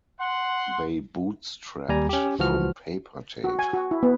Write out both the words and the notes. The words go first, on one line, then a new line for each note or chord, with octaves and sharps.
They bootstrapped from paper tape.
F#5 C6
D#2 G3 D5 G#5 A#5
C#4 G4
C#2 E3 F3 F#4 F6
F#4
G#5
F#4
E4
B3